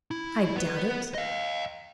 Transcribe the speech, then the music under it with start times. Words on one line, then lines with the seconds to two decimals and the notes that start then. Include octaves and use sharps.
"I doubt it."
0.11 E4
0.56 B3 B4
1.15 D#5 F5